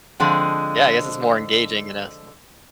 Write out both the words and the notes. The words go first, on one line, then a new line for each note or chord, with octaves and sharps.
Yeah, I guess it's more engaging, you know, so
D3 F3 G#3 C4